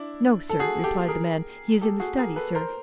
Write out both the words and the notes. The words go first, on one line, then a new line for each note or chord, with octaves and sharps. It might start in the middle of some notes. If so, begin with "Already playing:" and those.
"No, sir," replied the man; "he is in the study, sir."
Already playing: D4 E4
A4
F#4 G#4
G4 A4
G#4 A#4
G4 A4
F#4 G#4
G#4 A#4
A4 B4
A#4 C5